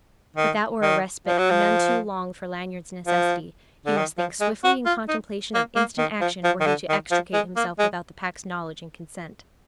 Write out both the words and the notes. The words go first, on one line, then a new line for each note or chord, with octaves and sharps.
But that were a respite none too long for Lanyard's necessity; he must think swiftly in contemplation of instant action were he to extricate himself without the Pack's knowledge and consent.
D#3
D#3
F3
F#3
F3
F3
D3
D#3
F3
G#3
F#4
F4
D#4
A#3
A#3
D#3
F3
F3
D#3
D3
D#3
F3
G#3
A#3
G#3